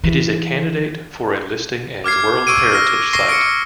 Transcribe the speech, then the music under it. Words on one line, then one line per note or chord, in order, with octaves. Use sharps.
It is a candidate for a listing as World Heritage Site.
E3
D6 F6 G#6 C7
C#6 E6 D7 D#7
E6 F6 A#6
C#6 A#6 C7 G7
C#7 D7
A#6